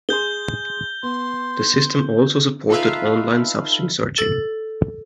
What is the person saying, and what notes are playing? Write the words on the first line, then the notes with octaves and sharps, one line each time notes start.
The system also supported on-line substring searching.
G#4 C6 G6 G7
B3 C6
D#4 F4 A4 B4 E5 F5
A4 A6